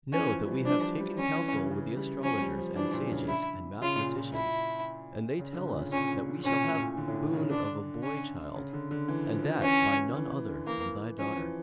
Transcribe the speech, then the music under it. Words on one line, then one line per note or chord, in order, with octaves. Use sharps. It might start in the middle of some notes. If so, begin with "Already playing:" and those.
Know that we have taken counsel with the astrologers and sages and mathematicians, and they tell us that we shall have boon of a boy child, and that by none other than thy daughter.
E3 C#4
F3
G3
F3 D4
F3
G3
C#4
E3
C#3
C#3
G3
F3 C#4
G3
F3
E3 D4
A#2
C#3
E4
C#3 F4
A#2
A#2
E4
C#3
D3
A#2
C#3
A#2 C#4
A#2 C#4
A2
A#2
D3
A2
A#2
C#3
D3 D4
C#4
C#3
D3
D3
E3
F3
F3
E3 C#4
E3
E3
D3
E3 A#3
F3 C#4
E3